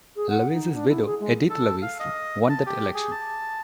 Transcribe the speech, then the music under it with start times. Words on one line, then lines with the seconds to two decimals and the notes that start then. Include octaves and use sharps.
Lewis's widow, Edythe Lewis won that election.
0.16 G#4
0.30 F#5
0.52 D#4
0.74 D4
0.89 E4
1.05 G#4
1.20 G#3
1.50 A4
1.82 F5
2.00 D#5
2.49 A5
2.66 G4
2.94 G#4
3.12 A5